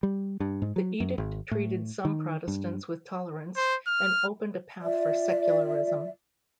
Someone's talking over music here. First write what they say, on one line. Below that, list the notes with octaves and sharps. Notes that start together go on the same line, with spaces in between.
The Edict treated some Protestants with tolerance and opened a path for secularism.
G3
G2
G#2
F#3
F#2
G#1
A2
D#3
G2
C5
F6
F4 D5 E5